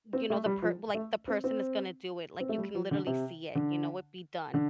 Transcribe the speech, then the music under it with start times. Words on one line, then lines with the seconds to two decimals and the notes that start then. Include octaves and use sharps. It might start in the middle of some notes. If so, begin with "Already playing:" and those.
you know, the per well, like, the person is gonna do it, like you can literally see it you know, it'd be done,
0.13 C4
0.30 A3
0.46 G3
0.62 F3
0.94 A3
1.28 C4
1.44 C4
2.40 C4
2.49 A3
2.58 G3
2.75 F3
2.91 D3
3.07 C3
3.55 D3
4.54 D3